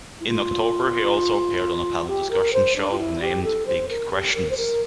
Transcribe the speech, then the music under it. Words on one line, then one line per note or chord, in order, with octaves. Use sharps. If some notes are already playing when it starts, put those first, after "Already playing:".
In October he also appeared on a panel discussion show named "Big Questions".
E4
F4
G4
A#4
C5
D4
F4
E4
G4
A4
C5
A#4
G4
A#4
C5
A#4